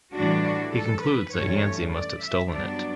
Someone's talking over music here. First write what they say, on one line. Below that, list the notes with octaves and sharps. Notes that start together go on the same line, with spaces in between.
He concludes that Yancy must have stolen it.
A2 E3 G3 D4 F#4
F#4
A4
B4
G2 E3 A3 C#4 C#5
D5
E5
G2 F#3 B3 D4 D5